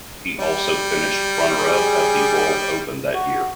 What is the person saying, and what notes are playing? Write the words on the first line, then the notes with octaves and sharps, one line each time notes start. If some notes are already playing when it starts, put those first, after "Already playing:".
He also finished runner-up at the World Open that year.
G3
G#4
F#4